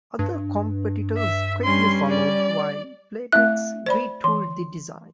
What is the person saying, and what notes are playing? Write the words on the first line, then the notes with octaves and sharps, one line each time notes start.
Other competitors quickly followed while Playtex retooled the design.
G2
E5
G3 C#4 C6
D5
A3 C4 E4 E5 F#6
C5 D5 B5
E3 C6